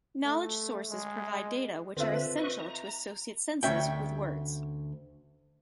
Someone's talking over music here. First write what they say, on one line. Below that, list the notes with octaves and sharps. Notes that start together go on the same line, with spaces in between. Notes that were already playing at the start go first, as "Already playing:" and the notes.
Knowledge sources provide data which are essential to associate senses with words.
A3
G#3
D3 C4 F4 B4 E5
B4 D#5 C#6
A#5
D2 C#4 E5 G5